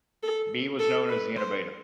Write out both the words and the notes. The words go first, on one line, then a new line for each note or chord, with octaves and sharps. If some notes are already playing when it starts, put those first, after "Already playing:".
Bee was known as the "Innovator".
A4
A4
B4
C5